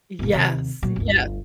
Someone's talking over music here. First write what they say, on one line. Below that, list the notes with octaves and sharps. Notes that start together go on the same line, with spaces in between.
Yes, yeah.
G1 A#2
D#2 C3
A#2 F#3
G1 D2